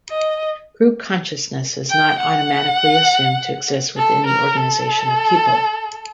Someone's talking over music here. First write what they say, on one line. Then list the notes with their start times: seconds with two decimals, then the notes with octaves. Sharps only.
Group consciousness is not automatically assumed to exist with any organization of people.
0.11 D#5
1.90 G5
2.19 F#5
3.97 A4
4.26 A#4
4.57 A4